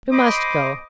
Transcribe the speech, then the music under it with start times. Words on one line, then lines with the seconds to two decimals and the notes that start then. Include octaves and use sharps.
You must go.'
0.11 C5 D#5 B5 D6